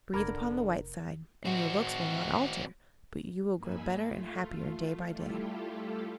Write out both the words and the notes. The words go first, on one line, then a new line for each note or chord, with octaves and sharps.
Breathe upon the white side and your looks will not alter, but you will grow better and happier day by day.
F1 D3 A#4 B5 D6 G#6
C4 F#4
G2 A#3 D#4 G#5 B5 E6
A3 F4
G3 A3 E4 F4 G4 A4